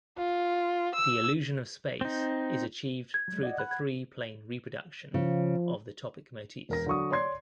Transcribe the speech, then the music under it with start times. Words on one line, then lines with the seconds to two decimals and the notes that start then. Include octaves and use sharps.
The illusion of space is achieved through the three-plane reproduction of the topic motifs.
0.18 F4
0.95 E6
2.01 C4 D#4
3.14 G#6
3.28 F#3 G#3
3.43 D5 D#5 F#5
3.58 F#5 B5 F#6
3.71 G#6
5.14 C#3 F3
6.69 E1 A#4 A#6
6.86 D3 F#3 C#6 D#6
7.11 C#5 D5 C6 G#6 C7